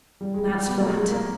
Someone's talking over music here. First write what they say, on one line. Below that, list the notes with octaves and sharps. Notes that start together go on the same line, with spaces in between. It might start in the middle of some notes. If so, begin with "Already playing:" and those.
That's flat.'
G3
G#3
G3
B3
A#3
A3
G#3
A#3